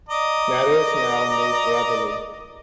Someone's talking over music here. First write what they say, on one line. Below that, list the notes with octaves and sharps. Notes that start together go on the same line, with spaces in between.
Matters now moved rapidly.
D5 D#5 A#5